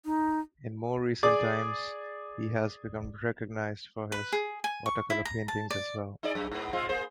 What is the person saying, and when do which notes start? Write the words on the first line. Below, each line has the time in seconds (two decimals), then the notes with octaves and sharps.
In more recent times, he has become recognised for his watercolour paintings as well.
0.05 D#4
1.23 G#4 D5 D6
4.12 B4
4.32 G#4
4.64 G#5
4.86 C#6
5.10 E4
5.25 A#5
5.48 A5
5.70 D5
6.23 D#4 G#4 D5
6.35 F#2
6.51 G#2 B3
6.73 G#3 C4 F4
6.89 A#3 G#4 C5